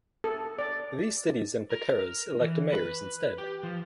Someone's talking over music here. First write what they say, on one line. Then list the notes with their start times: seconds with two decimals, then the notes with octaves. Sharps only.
These cities and Pateros elect mayors instead.
0.24 A4
0.59 D5
1.70 A#4
2.40 E3
2.72 B4
3.38 G4
3.63 F3